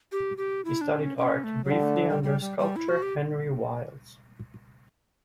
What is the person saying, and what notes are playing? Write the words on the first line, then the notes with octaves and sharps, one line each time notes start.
He studied art briefly under sculptor Henry Wiles.
G4
G4
E4
D4
C#4
C#4
A3
F#3
D3 G3
A3
F#3
G3
G3
G3
G3
E4
F#4
G4